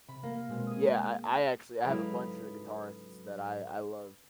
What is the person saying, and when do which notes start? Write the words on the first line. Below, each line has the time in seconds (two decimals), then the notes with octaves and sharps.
Yeah, I I actually I have a bunch of guitarists that I I love.
0.09 C3 B5
0.23 A#3
0.49 B2 G#3 C4
0.67 G#4 D#6
1.83 G#2 C#3 F#3 D#4 E4 A4 B4 B5